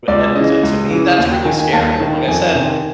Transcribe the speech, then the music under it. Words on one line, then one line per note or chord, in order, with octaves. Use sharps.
and to to me that's really scary, and, like I said,
C#2 D5
C#3 E3 D#5
C#2
C#3 E3
D#2 F5
G5
D#3 G#5
G#5
D#2 A5
D#3
F2 G#5
C3 D#3